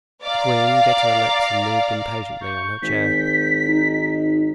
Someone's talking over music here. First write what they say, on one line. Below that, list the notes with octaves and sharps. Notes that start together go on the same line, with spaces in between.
The queen bit her lips and moved impatiently on her chair.
D5 F5 A#5
C#6 G6
G#1 B6
D#4